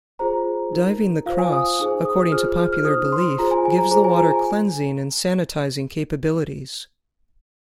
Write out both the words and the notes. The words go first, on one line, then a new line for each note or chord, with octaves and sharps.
Diving the Cross, according to popular belief gives the water cleansing and sanitizing capabilities.
F4 G#4 C5 A#5
D#4 A#4
F4 C5 F5
G#5
D#6
D#4 G#4 C5 G#5
D#6
F4 G#4 C5 F6
F6
F6
D#4 C5 D#6
C6
F4 G#4 C5 A#5
G#5
G#5
A#5
F4 G#4 C5 A#5
G#5
A#5
G#5